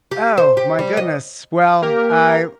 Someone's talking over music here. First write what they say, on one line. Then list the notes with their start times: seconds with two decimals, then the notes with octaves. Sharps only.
Oh, my goodness, well, I
0.11 G4
0.37 C5
0.57 G4
0.79 G3
0.97 D#5
1.82 A#3 G4 A#4